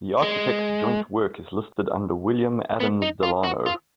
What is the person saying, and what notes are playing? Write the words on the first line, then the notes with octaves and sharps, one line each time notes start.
The architects' joint work is listed under William Adams Delano.
G#3
B3
D#4
F4
F#4
F4